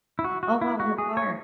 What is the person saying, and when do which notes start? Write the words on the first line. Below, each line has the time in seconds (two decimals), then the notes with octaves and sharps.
Oh wow, what part?
0.19 E4
0.24 F#4
0.43 F#4
0.61 E4
0.80 F#4
0.98 G#4
1.17 C#5